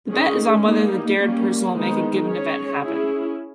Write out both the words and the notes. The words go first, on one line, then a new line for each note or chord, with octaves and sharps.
The bet is on whether the "dared" person will make a given event happen.
D#3 G#3 C#4 G#4
G3 A#3 D#4
G3 A#3 C#4
D#3 G#3 B3 D#4
C#4 G#4 C#5
C#4 E4 G#4